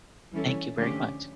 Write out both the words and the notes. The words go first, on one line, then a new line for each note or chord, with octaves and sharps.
Thank you very much.
E3 G3 C#4 E4 A4
D3 F3 A3 C#4 G4